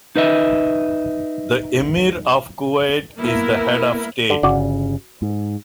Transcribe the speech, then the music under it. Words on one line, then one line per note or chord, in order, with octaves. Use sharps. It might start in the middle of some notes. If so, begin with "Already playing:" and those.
The Emir of Kuwait is the head of state.
D#4 B4 D#5 E5
A#3 B3 E4 A#4
D3
G1 C#3 F#4 D5
G#2